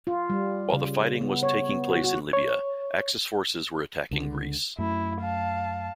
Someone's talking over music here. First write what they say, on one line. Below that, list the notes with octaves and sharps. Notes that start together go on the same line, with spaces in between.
While the fighting was taking place in Libya, Axis forces were attacking Greece.
F4
G3
C#3
B3
C#5
B3
F#4
F#4
C#5
C#2 D3
F#2 A3 E4
F5 A5